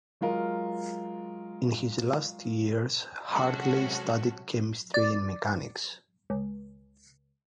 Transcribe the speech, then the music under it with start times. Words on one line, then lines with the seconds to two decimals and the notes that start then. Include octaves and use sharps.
In his last years, Hartley studied chemistry and mechanics.
0.21 F#3 G#3 F4 A#4
3.30 C3 F#3 G#3 C#4 F#4 A4
4.94 D5
6.30 C#2